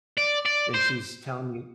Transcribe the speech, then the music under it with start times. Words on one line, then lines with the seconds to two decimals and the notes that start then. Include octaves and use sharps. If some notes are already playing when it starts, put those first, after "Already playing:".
and she was telling me
0.17 D5
0.45 D5
0.74 C5